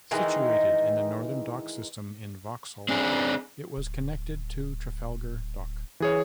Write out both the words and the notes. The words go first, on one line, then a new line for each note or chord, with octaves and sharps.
Situated in the northern dock system in Vauxhall, it was connected to Trafalgar Dock.
D#3 E3 G#3 D#4
C4 D4 G#4
D1
E3 G#4 C#5